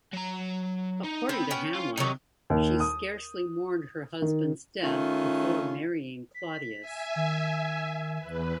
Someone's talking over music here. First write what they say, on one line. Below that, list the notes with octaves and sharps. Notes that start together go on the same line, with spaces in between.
According to Hamlet, she scarcely mourned her husband's death before marrying Claudius.
F#3 A#5
D#4
B3 C4 B5
C#4 G5
F4
C3 D#3 F#3 D#4
D#2
D#6
D#3
D#3 A3 C#4 F4
B6
E5 G#5
D#3
E2 B4